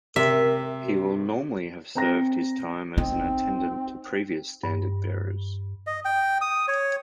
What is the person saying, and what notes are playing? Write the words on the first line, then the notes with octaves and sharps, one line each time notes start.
He will normally have served his time as an Attendant to previous Standard Bearers.
C3 A#4 E5
F#4
C4 A#5 A#6
C4 D#4
G2
D#5
G5
D#6
C#5